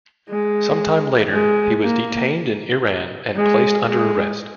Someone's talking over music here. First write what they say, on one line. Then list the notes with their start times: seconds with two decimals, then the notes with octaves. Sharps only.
Sometime later, he was detained in Iran and placed under arrest.
0.29 G#3
1.31 G#3
1.82 A#3
3.35 G#3
3.86 G#3